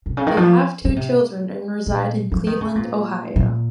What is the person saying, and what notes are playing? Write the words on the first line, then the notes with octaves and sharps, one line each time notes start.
They have two children and reside in Cleveland, Ohio.
C3
C#3
D#3
F3
C#3
C3
A#2
F3
D#3
C#3
A#2
A#2